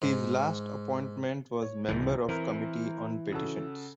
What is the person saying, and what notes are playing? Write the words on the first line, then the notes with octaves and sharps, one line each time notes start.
His last appointment was member of Committee on Petitions.
G#2
C#5
E1 C2 G#2 E3
E3 C4 A#4
C#3 F#4 A4